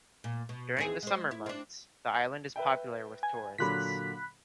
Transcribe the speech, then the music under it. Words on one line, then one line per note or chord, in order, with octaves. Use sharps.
During the summer months, the island is popular with tourists.
A#2
B2
D#2 C4 G#4
G#3 C5
E4
C4 D4
B4 E5 G5
G#5
A#2 D3 F#3 B5 F#6 B6